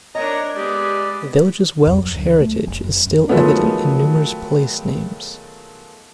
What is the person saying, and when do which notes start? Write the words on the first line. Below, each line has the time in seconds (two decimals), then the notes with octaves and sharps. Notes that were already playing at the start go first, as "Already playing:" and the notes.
The village's Welsh heritage is still evident in numerous place names.
0.15 D4 A#4 C#5 D#5 A#5
0.56 G#3 B3 G4 D5
1.87 F2
2.03 F#3
2.15 D2
2.41 A3
2.68 F#1
2.84 F#2
3.07 F#2
3.29 D#3 F3 F#3 G#3 A3 B3